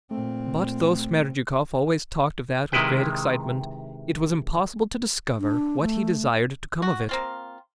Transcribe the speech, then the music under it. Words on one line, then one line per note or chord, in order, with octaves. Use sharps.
But though Smerdyakov always talked of that with great excitement, it was impossible to discover what he desired to come of it.
A#2 A3 C4
C3 D#3 G#3 E4 B4 G5
D4
A3
F#4
A#3 C4 F4